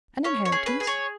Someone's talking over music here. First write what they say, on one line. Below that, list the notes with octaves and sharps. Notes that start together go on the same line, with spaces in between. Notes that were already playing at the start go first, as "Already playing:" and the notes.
"An inheritance?"
C#4 C#5
C#5
G#4
B4
G#4
C#5